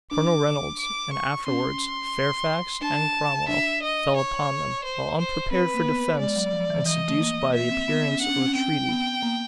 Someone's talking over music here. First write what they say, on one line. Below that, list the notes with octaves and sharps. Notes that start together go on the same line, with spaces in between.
Colonel Reynolds, and afterwards Fairfax and Cromwell, fell upon them, while unprepared for defence, and seduced by the appearance of a treaty.
D4 D6
D6
C#6
C#4 C6
D4 A5
D4 E5
D#5
C#5
C5
C5
C4 B4
A#3
B3
G#3 D5
F#3
F3
E3
E3 D#5
A3
A#3
A#3 E5
C4
B3
C#4
D4 F#5
C#4
C4
C#4
C4 G5
B3
A#3